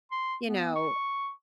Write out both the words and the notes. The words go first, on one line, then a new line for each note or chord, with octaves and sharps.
you know
C6
B3
C#6